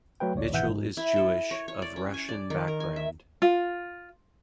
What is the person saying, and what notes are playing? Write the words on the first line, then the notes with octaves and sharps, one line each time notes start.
Mitchell is Jewish, of Russian background.
F#3 A3 B4 G5
A1 D2 C#5 D5
G#1 B2 E3 E5 F#5 G6
G#2
E4
A4
C#5
C#5
D5
C#4
G#5
D5
D#3
A#4
G#5
E5
F4